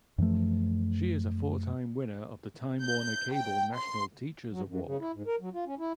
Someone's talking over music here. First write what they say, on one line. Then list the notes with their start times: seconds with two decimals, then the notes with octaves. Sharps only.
She is a four-time winner of the Time Warner Cable National Teachers Award.
0.18 F#2 E3 F3 A3
2.83 G6
3.32 G5
3.75 C6
4.52 F#3
4.68 F#2
4.86 C#3
5.00 E4
5.14 G#2
5.27 A#4
5.41 F#3
5.54 F4
5.66 C#4
5.79 E4